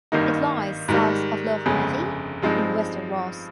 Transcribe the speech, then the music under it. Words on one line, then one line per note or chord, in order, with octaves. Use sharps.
It lies south of Loch Maree in Wester Ross.
G#1 G2 D#3 A#3 D#4
G#2 D#3 G3
G1 F2 C#3 G#3
G2 F3 G#3 C4 D#4